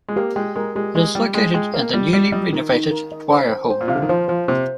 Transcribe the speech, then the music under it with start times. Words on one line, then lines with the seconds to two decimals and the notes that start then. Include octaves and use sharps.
It is located in the newly renovated Dwire Hall.
0.09 G#3
0.16 A#3 G4
0.36 G#3 G5
0.56 G#3 A#4
0.76 G#3 G4
0.95 G#3 D#5
1.15 G3 G5
1.34 G#3 G5
1.54 G#3 G5
1.74 A#3 D#5
1.93 G3 D#5
2.13 G3 D#5
2.32 G3 D#5
2.53 D#3 D#4
2.72 D#4
2.91 A#4
3.12 D#5
3.30 C5
3.50 C5
3.70 C5
3.81 A#2
3.88 C3 F5
3.95 D3
4.02 D#3
4.09 F3 C5
4.28 F3 C5
4.48 C3 C5